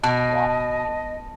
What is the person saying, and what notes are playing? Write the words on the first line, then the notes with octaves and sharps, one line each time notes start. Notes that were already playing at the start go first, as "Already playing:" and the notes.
watching me.
B2 D#5 A5